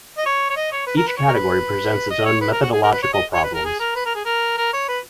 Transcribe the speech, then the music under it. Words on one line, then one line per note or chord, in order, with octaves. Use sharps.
Each category presents its own methodological problems.
D#5
C#5
C#5
D#5
C#5
B4
A#4
B4
C#5
A#4
B4
D#5
C#5
B4
A#4
F#4
G#4
A#4
B4
C#5
D#5
C#5
B4
A#4
G#4
A#4
B4
A#4
G#4
A#4
A#4
C#5
B4